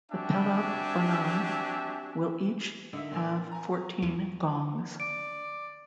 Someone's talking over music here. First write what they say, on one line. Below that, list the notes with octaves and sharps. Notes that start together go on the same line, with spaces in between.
The pelog bonang will each have fourteen gongs.
C4 D4 F#4 G4 E5 G#5
D3 A#3 D#4 E5
A#2 C4 D5 G#5 E6
G#5 A#5
E2 E3
D5 D7